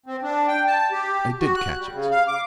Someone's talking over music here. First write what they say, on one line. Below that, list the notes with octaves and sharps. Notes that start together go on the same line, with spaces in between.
I did catch it.
C4
D4
G5
A5
G4
F#4
F#6
G3
C#3
F5
D6